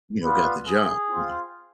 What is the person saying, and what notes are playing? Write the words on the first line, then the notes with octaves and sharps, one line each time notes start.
you know, got the job, you know
G3 B3 F4 B4
G#4
C4 F4